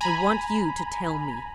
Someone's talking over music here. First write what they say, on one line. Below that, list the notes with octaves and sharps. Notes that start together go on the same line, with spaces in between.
"I want you to tell me."
G#5 A#5 B5